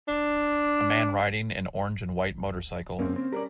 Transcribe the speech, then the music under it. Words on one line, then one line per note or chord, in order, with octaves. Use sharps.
A man riding an orange and white motorcycle.
D4
F#2 C#3 A#3 C4 C#4
C4
G3 C#4 A#4 B4 D5